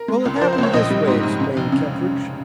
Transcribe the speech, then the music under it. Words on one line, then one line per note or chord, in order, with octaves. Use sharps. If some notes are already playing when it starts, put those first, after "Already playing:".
"Well, it happened this way," explained Kettridge.
Already playing: A#4
G#3
C#2
A#4
F3 C5
C5
C#2 C#5
A#1 D#5
G3
G#2
G#2
C#3
F1
C#3